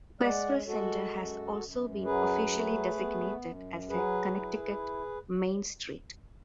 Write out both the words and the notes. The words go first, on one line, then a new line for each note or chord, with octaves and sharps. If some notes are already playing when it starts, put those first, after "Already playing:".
Westville Center has also been officially designated as a "Connecticut Main Street".
G#3 D5 F#5
G#3 F#4 A4
F#2
F#2
F#3 G#4 B4
A3
B3
F#2
F#3 G#4 B4
E4